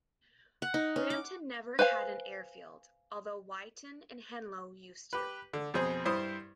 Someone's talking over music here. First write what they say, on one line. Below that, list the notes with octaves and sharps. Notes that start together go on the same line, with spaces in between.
Brampton never had an airfield, although Wyton and Henlow used to.
F#5
D#4
C#4
D6
B4 C5 F5 G#5
G4 B4
D3
F2 B2 C4 G#4 C5
G2 E4 C5 D#6